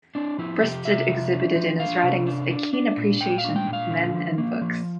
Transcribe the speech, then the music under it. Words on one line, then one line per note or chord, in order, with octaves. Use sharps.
Bristed exhibited in his writings a keen appreciation of men and books.
C4 D4
F3 E4
C3 G4
C3 E5
F3
D4
F3
D4 F5
C3
D4
D4
D4
A#2
A#2 G5
F5
D4
G5
A#2
F5
D3
F3
A#3
F3